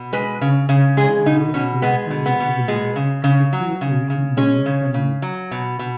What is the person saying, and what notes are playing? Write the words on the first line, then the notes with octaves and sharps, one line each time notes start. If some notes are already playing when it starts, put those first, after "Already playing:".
While on loan to Hassania Agadir, he secured a win in the Moroccan League.
Already playing: B2
G#3 B4
C#3
C#3
G#3 G#4
B2 D#4
B2 C#4
G#3 B3
B2
B3
B2
G#3
C#3
C#3
F#3
C#3
C#3
G#3 C#4
C#3
C#3
F#3
B2
B2